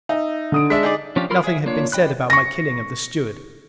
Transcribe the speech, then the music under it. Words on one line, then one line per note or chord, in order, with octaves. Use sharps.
Nothing had been said about my killing of the steward.
D#4 E5
D3 D#6 D7
G#3 D4 E5 B6
D#4 G#4 D5
F3 C#4 D4 F4 G4
F4 A#4 B5 C6 F6
G#4 E5
A#3 D4 F4 C#5
D3 D#5 G5 B5 F#6
C#6 A#6